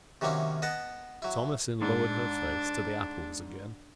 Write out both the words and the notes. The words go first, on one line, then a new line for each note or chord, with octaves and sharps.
Thomasin lowered her face to the apples again.
C3 D#3 F#3 A#3 C#4 E4
B3 B4 D#5 F#5 A5
F#3 E4
G#2 D4